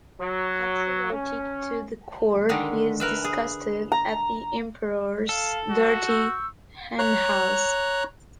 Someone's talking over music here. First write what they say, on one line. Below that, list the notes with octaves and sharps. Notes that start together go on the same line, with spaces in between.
Patriotic to the core, he is disgusted at the Emperor's "dirty henhouse".
F#3
C#4
D3 D#3 G#3
A#4 B4 E5
G#4
A#5
A4 F5
F#4
C#6 E6 G6
C#5 A#5 F#6